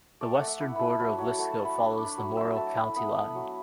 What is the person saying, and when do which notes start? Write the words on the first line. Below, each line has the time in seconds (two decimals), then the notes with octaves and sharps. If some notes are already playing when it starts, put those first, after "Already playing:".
The western border of Lisco follows the Morrill County line.
0.21 A3 D5
0.34 F#5
0.40 A3
0.47 E5
0.60 E4 F#5
0.75 E4 A5 B5
1.00 F#3 B5
1.13 A5
1.18 F#3
1.26 F#5
1.38 A3 F#5
1.52 A5
1.59 A3
1.65 B5
1.78 D4
1.91 B5
1.98 D4
2.05 B5
2.17 F#3
2.37 F#3 E5
2.56 A3 A5
2.76 E4 B5
2.96 B3 B5
3.15 B3 B5
3.35 F#3